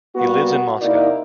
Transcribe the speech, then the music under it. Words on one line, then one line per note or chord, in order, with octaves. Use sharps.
He lives in Moscow.
G3 A#3 B3 F#4
C3 A#3 D#4 E4 A#4 D5